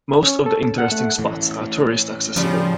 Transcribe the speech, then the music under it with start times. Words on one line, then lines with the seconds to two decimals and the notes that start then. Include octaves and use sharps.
Most of the interesting spots are tourist-accessible.
0.23 C#4
0.46 A4
0.78 F#5
0.92 A3
1.18 A2 E3
2.36 C#3 F3 G3